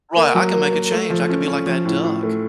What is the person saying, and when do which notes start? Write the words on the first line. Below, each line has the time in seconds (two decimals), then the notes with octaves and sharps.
Right, I can make a change, I could be like that duck.
0.16 A#3
0.35 F#3
0.53 A#3
0.72 A#3
0.91 A3
1.10 F3
1.29 C#4
1.48 C#4
1.66 F3
1.85 A2
2.04 A2
2.23 A3